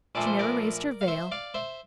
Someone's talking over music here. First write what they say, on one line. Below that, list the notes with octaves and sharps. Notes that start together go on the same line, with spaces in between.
She never raised her veil.
A#1 A#2 F3 A3 D5
C5
A#4 D5
F5
C5 E5
D5 F5
C5 E5